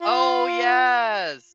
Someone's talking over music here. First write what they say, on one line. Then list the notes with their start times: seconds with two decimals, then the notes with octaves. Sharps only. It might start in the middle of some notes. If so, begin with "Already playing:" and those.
Oh, yes.
0.01 F4